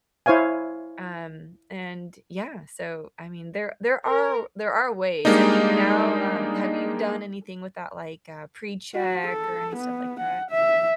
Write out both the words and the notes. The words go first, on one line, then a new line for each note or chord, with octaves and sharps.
um, and yeah, so, I mean, there there are there are ways. I think now, um, have you done anything with that, like, uh, precheck or any stuff like that?
E4 C5 C#5 F5 G#5
A#4
G3 G#3 A#3 D4 D#4
F#4
A4
B3
F#5
E5